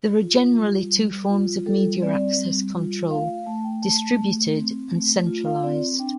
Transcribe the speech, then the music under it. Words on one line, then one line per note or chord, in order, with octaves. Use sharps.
There are generally two forms of media access control: distributed and centralized.
F4
G3
G3
F4
G3 A4
C4 D5
G3
F4
A3 F5
F5
A3 A5
G5
A3 A5
A3
C4
A3
F4
F5
C4 D5
D4 G5